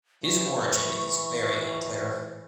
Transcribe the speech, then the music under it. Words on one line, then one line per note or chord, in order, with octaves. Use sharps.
His origin is very unclear.
E3 C#6